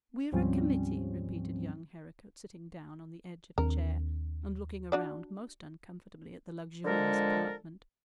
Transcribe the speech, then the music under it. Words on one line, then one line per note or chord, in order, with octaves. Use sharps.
"We're a committee," repeated young Herricote, sitting down on the edge of a chair, and looking around most uncomfortably at the luxurious apartment.
D2 G#2 F3 G3 C4 C#4
D#2 C4 D4 A#4
D4 F#4 D5
D3 F3 G#3 A4 A#4